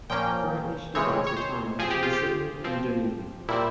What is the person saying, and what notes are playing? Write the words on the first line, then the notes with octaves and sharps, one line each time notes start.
Currently she divides her time between Sydney and Dunedin.
A#2 F3 A#3 C#4 G5
C#3 E3 G#3 C4 C#5
C#5
C5
F3 C4 G#4
G4
F4
G4
F3 C4
A#2 G3 C4 E4